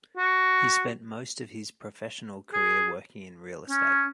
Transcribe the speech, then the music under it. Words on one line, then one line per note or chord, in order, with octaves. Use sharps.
He spent most of his professional career working in real estate.
F#4
G#4
C#4